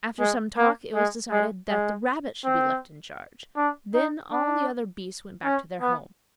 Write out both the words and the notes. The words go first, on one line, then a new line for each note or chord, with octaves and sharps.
After some talk it was decided that the rabbit should be left in charge; then all the other beasts went back to their homes.
G#3
A#3
G#3
G#3
G#3
C4
D4
D#4
D4
C#4
B3